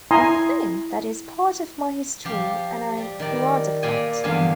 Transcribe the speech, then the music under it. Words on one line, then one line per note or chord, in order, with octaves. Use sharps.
I think that is part of my history and I am proud of that.
E4 G#5 A#5 C6 D#6
F3 G4
G3
D#3 D5
A#2 D5 G5 G#5
E2 G2 D3 F3 F5 G#5